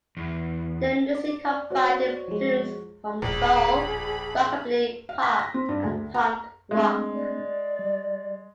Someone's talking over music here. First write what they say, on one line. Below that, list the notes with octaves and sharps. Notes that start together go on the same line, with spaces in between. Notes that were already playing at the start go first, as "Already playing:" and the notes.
Their music combined influences from soul, rockabilly, pop and punk rock.
E2
D5
F#4 C5 C#5
F3 G#3
D#1 A#1 A2 G#4 B5
F5
B6
A#6
C4
G2
D2
A#5
G#3 A3 C4 D4
D5
G3